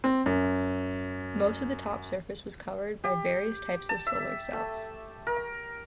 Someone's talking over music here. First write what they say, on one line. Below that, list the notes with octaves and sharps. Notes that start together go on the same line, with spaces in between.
Most of the top surface was covered by various types of solar cells.
C4
F#2
G4
A5
E5
A3
A#4